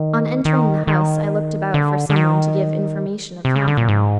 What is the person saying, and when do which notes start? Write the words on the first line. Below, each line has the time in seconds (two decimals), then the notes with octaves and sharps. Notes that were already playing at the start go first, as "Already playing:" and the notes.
On entering the house, I looked about for some one to give information of Catherine.
Already playing: D#3
0.45 D#3
0.87 D#3
1.74 D3
2.10 D3
2.16 D#3
3.45 C3
3.56 C#3
3.67 D3
3.77 A#2
3.88 G#2